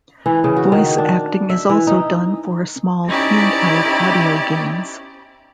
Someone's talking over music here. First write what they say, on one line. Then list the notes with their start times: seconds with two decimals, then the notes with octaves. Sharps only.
Voice acting is also done for small handheld audio games.
0.26 E3
0.44 C#3
0.57 F#4
0.72 D#3
0.98 D4
1.49 E5
1.69 E3
1.87 D#4
3.06 C4 C#4 D#4 E4 G4 D5